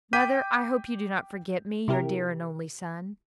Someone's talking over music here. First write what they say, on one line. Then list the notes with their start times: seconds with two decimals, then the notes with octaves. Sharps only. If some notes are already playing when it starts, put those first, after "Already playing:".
Mother, I hope you do not forget me, your dear and only son.
0.13 G5 D6 G6 B6 D#7
1.88 C3 E4 G4 A#4